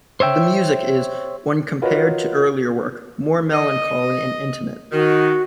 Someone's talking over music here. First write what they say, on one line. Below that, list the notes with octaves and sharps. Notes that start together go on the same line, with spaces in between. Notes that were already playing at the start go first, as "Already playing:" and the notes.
The music is, when compared to earlier work, more melancholy and intimate.
C5 C#5 E5 G5
F4 F#4 A#4 B4 C#5 D#5
D#5
D#3 F#4